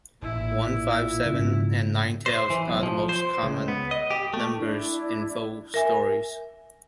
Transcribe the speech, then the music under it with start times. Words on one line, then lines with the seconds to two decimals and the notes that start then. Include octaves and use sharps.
One, five, seven, and nine tails are the most common numbers in folk stories.
0.22 A1 A#2 E4
1.26 G#2 C#3
2.26 C5
2.50 E3
2.68 B1
2.83 F3
3.09 C5
3.43 C#2
3.68 B3
3.91 D#5
4.11 G4
4.34 A3
4.58 D4 E4
5.74 A#4 E5 G#5